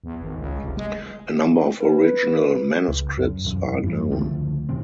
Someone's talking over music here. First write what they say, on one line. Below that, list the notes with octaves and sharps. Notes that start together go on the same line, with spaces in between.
A number of original manuscripts are known.
E2
G#1
C#2
F1
G#3
B4
C#2
F#2
E1 F#2
G2 E3
C#2 D3 F3 A3
E2 C3 D#3 C4